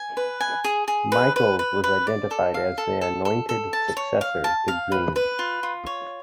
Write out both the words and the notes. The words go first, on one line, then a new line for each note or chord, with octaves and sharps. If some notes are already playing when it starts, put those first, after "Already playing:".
Michaels was identified as the anointed successor to Greene.
Already playing: G#5
B4
G#5
G#4
G#4
B4
B4
B4
B4
D5
A4
F5
A4
A4
A4
A4
A5
C#5
F5
A5
F5
B4
B4
F4
F4
C#5